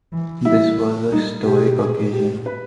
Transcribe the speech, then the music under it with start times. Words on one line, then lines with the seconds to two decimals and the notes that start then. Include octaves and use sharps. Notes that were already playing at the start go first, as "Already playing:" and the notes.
This was a historic occasion.
0.12 E3
0.45 G3 E4
1.12 G3 D#4
1.45 B2 G4
1.55 G#4
1.65 G4
1.79 A#2 G#4
2.12 G4
2.46 B4